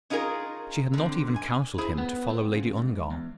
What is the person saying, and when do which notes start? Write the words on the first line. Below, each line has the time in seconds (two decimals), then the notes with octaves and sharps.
She had not even counselled him to follow Lady Ongar.
0.10 C#4 D#4 F4 G#4 A#4
0.93 D3 C4
1.36 G#5
1.78 E4 G#4 C5
1.98 B3
2.30 C4
2.53 C#3
2.77 G#2
3.11 E2